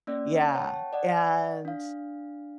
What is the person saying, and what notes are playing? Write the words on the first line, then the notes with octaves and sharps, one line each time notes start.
Yeah, and d
A#3 C#4 D5
C#5 F#5 G5 A5
D5 D#5 F#5
D4 F5